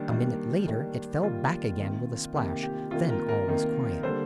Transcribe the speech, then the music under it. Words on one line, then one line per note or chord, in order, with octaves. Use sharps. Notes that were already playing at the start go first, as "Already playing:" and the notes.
A minute later it fell back again with a splash, then all was quiet.
Already playing: D#3 G3 A#3 D4
D#3 G3 A#3
D#3 G3 A#3
D#3 G3 A#3 F4
C3 D#3 A#3
C3 D#3 A#3 G4
G4
C3 D#3 A#3 F4
A#4
A#4
C3 D#3 A#3
D3 G3 A#3 C5